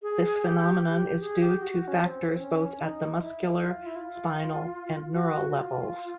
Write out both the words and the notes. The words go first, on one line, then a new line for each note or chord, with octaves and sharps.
This phenomenon is due to factors both at the muscular, spinal and neural levels.
G#4
G4
G4
G#4
G4
F#4
C#4
C4
C#4
D#4
E4
F4
E4
F4
F#4
F4